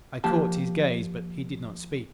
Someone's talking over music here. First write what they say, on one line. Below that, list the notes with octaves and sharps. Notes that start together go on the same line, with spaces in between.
I caught his gaze but he did not speak.
F3 A#3 G4 A5